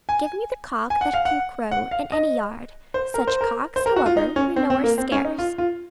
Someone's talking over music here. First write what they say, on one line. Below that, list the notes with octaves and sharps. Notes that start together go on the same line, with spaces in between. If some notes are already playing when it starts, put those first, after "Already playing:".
Give me the cock that can crow in any yard; such cocks, however, we know are scarce.
G#5
G#5
F#5
F5
F#5
F#5
F5
D#5
C5
A#4
C5
A#4
C5
A#4
F#4
F4
D#4
C#4
C4
C4
A#3
C4
C#4
D#4
F4
F4